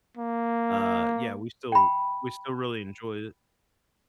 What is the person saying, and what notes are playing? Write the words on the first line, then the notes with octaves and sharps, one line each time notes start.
uh, yeah, we still we still really enjoy it.
A#3
G5 B5